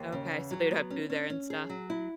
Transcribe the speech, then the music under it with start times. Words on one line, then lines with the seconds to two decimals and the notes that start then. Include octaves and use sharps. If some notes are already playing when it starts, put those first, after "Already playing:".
Okay, so they'd have food there and stuff?
Already playing: D#2
0.12 C#3
0.31 E2
0.51 F#3
0.71 B3
0.90 C#4
1.10 C#4
1.30 C#4
1.50 G#4
1.69 F#3
1.90 E4